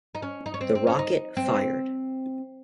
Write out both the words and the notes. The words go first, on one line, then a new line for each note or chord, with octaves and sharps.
The rocket fired.
D#4
C#4
D#4
C#4
C4
C4
C#4
D#4
C4